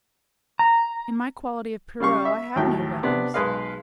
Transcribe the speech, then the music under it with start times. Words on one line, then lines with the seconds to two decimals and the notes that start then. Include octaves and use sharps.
In my quality of Pierrot I had no weapons.
0.59 A#5
2.00 C#3 G3 F5 C#6
2.25 E5
2.56 D#2 A2 F#3 G5
3.03 C3 B3 D4
3.34 B1 G#3 B4 D#5 F5